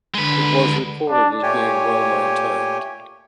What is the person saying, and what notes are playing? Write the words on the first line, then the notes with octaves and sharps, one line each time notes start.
It was reported as being well maintained.
D3 G#3 B4
D4
A#2 A3 G4 C#5 G5 G#5